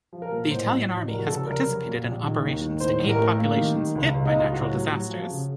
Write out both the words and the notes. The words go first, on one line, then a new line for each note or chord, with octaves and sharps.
The Italian Army has participated in operations to aid populations hit by natural disasters.
F3
A#4
A#2
A1 C5
F#3
A1
F1 A#4
F#4
C#3 A4
F1 A#4
F#3
A#2
A#1
D#3
D#2
D#3
A2 C5
A1
A#4
A3
A#3
D#3
D#3
C#2
C#2
D#4
C#2
F4
A2 F#4
F#3
F#3
F3
C#3